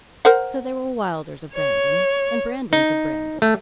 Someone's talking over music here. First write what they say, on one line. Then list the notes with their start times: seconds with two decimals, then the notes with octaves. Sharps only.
So there were Wylders of Brandon, and Brandons of Brandon.
0.25 A#4 C5 F#5
1.53 C#5
2.73 D#4
3.42 A3